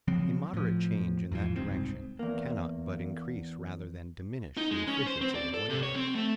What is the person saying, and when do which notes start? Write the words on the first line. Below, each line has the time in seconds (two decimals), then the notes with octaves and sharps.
A moderate change in that direction cannot but increase rather than diminish the efficiency of labor.
0.08 C#3 F3 F#3 C4
0.54 A2 F3
1.32 E2 G#2 E3 F3
1.56 F#1 C2 G#2 C4
2.19 E2 A#3
4.57 D#4
4.71 G#3
4.88 C#4
5.06 C5
5.21 C4
5.35 D5
5.54 A4
5.69 C3
5.83 C#5
5.96 C4
6.15 A3